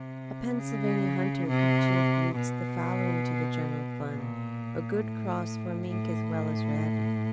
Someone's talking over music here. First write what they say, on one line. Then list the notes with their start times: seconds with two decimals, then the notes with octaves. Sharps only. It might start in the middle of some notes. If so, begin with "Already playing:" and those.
A Pennsylvania hunter contributes the following to the general fund: a good cross for mink as well as rabbit.
Already playing: C3
0.59 C#3
1.48 C3
2.36 B2
4.13 A#2
5.01 A2
5.88 A2